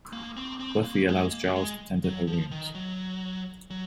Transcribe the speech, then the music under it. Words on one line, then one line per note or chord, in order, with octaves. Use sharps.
Buffy allows Giles to tend her wounds.
A#3
C4
C4
A#3
G#3
A#3
F#3
G#3
F#3
F3
D#3
F#3
F#3